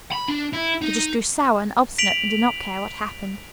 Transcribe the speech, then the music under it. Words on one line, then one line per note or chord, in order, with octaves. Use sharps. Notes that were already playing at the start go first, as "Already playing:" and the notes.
She just grew sour and obstinate and did not care what happened.
B5
D4
E4
D#4
B6 D7 F7 F#7